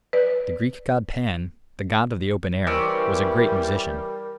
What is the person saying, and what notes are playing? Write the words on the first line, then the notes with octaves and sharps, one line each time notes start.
The Greek God Pan, the god of the open air, was a great musician.
B4 D5
E3 G3 C4 C#4 A#4 D5